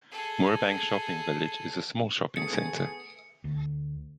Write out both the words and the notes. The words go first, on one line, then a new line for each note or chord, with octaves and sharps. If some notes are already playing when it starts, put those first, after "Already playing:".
Moorebank Shopping Village is a small shopping centre.
G#4 A4
A3 B3 G#4 C#7
D2